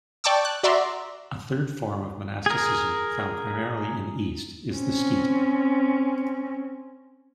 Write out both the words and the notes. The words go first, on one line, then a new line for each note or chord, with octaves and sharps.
A third form of monasticism, found primarily in the East, is the skete.
D5 G5 A5 C#6 D6 E6
F#6
F#4 D5 E5 A#5 C6
G#4 A#4
C4 C#4